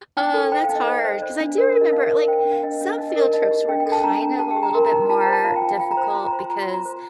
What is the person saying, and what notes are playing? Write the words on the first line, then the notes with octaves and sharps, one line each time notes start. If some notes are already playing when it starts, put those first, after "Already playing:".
Oh, that's hard, 'cause I do remember, like, some field trips were kind of a little bit more difficult because
D#4 G5
A4
C5 G5
F5
D#4
D#5
C5
C5
C5 D5
D4
A#4 D5
D5
A#4
D#5
D#4 F5
A#4
C5 G5
G5
D4
F5
D4 D#5
D4
D#4 D#5
D#5
A#4
D5
D#4 D#5
D#5
G4
D4 G5
G5
A4
A5
D4 A#5
D4
G4 A5
G5
G4
A#5
A#4 C6
A#5
D#4
F4 A5
A#5
C5
A5
F4 F5
G5
F4
G5
F4 G5
A#5
C5
A#5
F4 C6
A#5
C5
C6
F4 A#5
C6
F4
A#5
C5